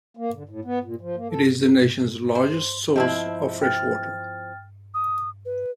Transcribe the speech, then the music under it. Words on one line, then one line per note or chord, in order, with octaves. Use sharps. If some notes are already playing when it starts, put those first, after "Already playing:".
It is the nation's largest source of freshwater.
A#3
D3
A2
B3
A#2
F3
A#3
A4
C5
F3 C4 E4 D#5 A5
G5 F6 A6
D#6
B4